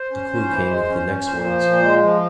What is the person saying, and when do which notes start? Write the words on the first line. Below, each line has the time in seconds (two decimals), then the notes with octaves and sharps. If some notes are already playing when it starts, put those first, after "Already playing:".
A clue came with the next words.
Already playing: C5
0.11 C#4
0.29 C#4
0.49 E3
0.68 G#3
0.88 C#4
1.07 C#4
1.26 A#2 C5
1.44 F3
1.65 A#2
1.83 G#3
2.02 F3